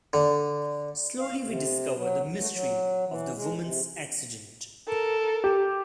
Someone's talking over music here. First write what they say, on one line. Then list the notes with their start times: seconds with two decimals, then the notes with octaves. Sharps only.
Slowly we discover the mystery of the woman's accident.
0.13 D3
1.20 F5
1.43 C3
1.96 F#3
2.36 A3
2.53 F#3
3.06 E3
3.33 G#3
3.60 C3
4.88 A4 A#4
5.44 G4